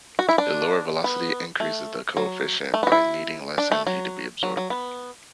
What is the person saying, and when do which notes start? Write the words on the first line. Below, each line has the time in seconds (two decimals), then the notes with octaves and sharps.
A lower velocity increases the coefficient by needing less energy to be absorbed.
0.19 F#4
0.29 E4
0.38 D4
1.04 B3
1.60 A3
2.17 F#3
2.74 A3
2.83 B3
2.87 F#4
2.92 E4
3.58 D4
3.72 A3
3.87 F#3
4.43 F#3
4.57 F#3
4.70 B3